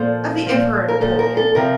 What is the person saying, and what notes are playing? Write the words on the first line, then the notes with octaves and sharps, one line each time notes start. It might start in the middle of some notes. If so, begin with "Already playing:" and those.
Of the Emperor Napoleon?
Already playing: A#2 F3 A4
A#2 F3
A#4
A#2 F3 A4
A#4
A4
C3 F3 A#4